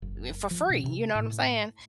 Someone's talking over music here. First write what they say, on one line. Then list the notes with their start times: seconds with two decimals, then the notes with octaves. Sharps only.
eh, for free. You know what I'm saying?
0.02 F#1
0.51 F3
0.70 B2
0.84 C3
1.15 A2